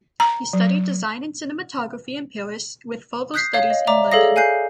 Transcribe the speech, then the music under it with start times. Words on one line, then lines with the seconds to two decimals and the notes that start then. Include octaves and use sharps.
He studied design and cinematography in Paris, with further studies in London.
0.20 A#5
0.53 F#3
3.34 D#6 F#6 G6 B6 C7
3.54 C#5 F5
3.70 D#5
3.87 D5 E5 A#5 D6
4.12 G#4 A4 C#5 F5 D#6 A#6
4.36 F5 G#5 F#6 G6 C7